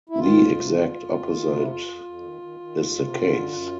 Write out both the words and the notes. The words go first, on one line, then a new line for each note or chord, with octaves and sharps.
The exact opposite is the case.
E4
D#3 F4
F2
C3
F2
F2
F2
D#3
D4
C3 D#4
E4
F2 F4
F2
F2
D#3
D#3
D#3
F2
C3
D3
F#2
F#2